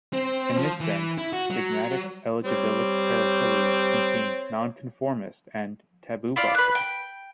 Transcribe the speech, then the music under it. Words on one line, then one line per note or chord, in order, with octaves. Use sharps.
In this sense, stigmatic-eligibilic paraphilias can seem 'non-conformist' and 'taboo-busting.
C4
F3
E3
E4
F#4
F#3
G3 C4 C#5
E4 F4 D5 F5
B4 F#6
G5